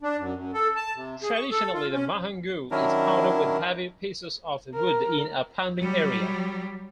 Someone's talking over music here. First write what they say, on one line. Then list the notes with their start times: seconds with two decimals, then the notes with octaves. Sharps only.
Traditionally the mahangu is pounded with heavy pieces of wood in a 'pounding area'.
0.01 D4
0.18 F#2
0.35 F#2
0.53 A4
0.76 A5
0.95 C3
1.23 G#4
1.34 C#6
1.51 A4
1.74 F4
1.94 C#4
2.71 D#3 F#3 C#4 D4 E4 A#4
4.75 A#4
5.77 F#3 G3